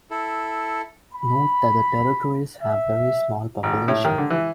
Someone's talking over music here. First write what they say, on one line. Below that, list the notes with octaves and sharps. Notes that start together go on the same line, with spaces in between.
Note that the territories have very small population.
E4 A4
B5
E5
G#1
A2
D#3
D3
E3